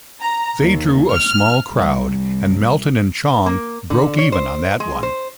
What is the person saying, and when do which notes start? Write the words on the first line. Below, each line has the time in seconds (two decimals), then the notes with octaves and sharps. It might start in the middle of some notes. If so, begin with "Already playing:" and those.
They drew a small crowd and Melton and Chong broke even on that one.
0.20 A#5
0.59 D#2
1.12 F6
1.71 C2
3.46 A#3
3.90 D3
4.18 C#5
4.32 C5
4.80 G#3
5.03 C5